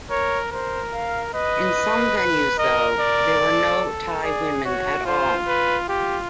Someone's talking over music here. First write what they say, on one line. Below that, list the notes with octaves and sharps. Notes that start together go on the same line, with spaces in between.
In some venues though, there were no Thai women at all.
A#4 C#5
A#4 C5
F5
B4 D#5
B4
A#4 D#5
D5
A4
G#4 D5
F#4 C#5
F4 C5
B4
F4 G4